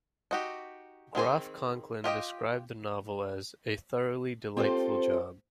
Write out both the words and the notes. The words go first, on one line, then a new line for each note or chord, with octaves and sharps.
Groff Conklin described the novel as "a thoroughly delightful job".
D#4 F#4 G4
D#3 C4 G#4 C5
F4 G4 D#5 G5
C4 F4 G4 A4 C5